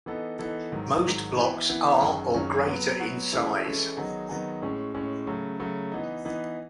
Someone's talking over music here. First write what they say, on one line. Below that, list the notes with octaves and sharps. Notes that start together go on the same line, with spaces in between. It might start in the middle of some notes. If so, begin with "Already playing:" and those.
Most blocks are or greater in size.
E3 B3 D#4 A4
E3 B3 D#4 A4
G#2 D#3 F#3
G#2 D#3 F#3
E3 B3 E4
E3 B3 E4
F#2 D#3 F#3 C#4 G#4
F#2 D#3 F#3 C#4 G#4
F#3 B3 F#4 B4
F#3 B3 F#4 B4
E3 G#3 C#4 E4 A4
E3 G#3 C#4 E4 A4
D#3 F#3 B3 D#4 G#4
D#3 F#3 B3 D#4 G#4
A2 G#3 C#4
A2 G#3 C#4
C#3 F#3 A3
C#3 F#3 A3
E3 B3 D#4
E3 B3 D#4